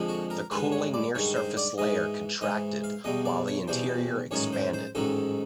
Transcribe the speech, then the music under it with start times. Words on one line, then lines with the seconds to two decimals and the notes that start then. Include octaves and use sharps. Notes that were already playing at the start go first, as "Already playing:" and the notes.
The cooling near-surface layer contracted, while the interior expanded.
Already playing: F2 D3 F3 G#3
0.09 F#4
0.30 A#4
0.51 G2 D#3 G#3 B4
0.72 C#5
0.94 D5
1.15 G2 D#3 G#3 C#5
1.36 C5
1.57 D5
1.78 G#2 E3 G#3 D#5
2.41 G#2 E3 G#3 D#5
2.84 F5
3.04 E2 B2 G3 D#5
3.25 D5
3.47 C#5
3.68 E2 B2 G3 C5
4.31 A1 G#2 D#3 F#3 C#5
4.53 C5
4.74 C5
4.95 A1 G#2 D#3 F#3 A4